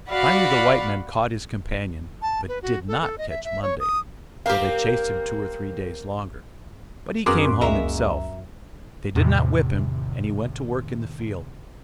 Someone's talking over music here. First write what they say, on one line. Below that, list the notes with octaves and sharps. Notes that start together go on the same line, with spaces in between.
Finally the white men caught his companion, but did not catch Monday, though they chased him two or three days longer, but he came home himself; they did not whip him and he went to work in the field.
F#4 D5 F5 F#5 B5
A5
B4
F#4
A4
A4
D#5
E5
E5
C#5
D#6
A#3 C4 G4 A#4 F5
F#2 B3 F#4 G#4 A#4 B5 C6 D6
C#2 G#3 A#3 E5 A#5
E2 A2 C3 D#3